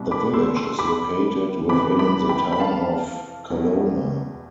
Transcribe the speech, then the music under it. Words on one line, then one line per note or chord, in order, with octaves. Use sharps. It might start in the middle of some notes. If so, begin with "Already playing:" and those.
The village is located within the Town of Coloma.
Already playing: C2 B2 G3
B5 D6
C6 E6
C6 E6
B5 D6
F2 C3 E3 B5 D6
B5 D6
G5 B5
B5
F5 A5
E2 B2 G3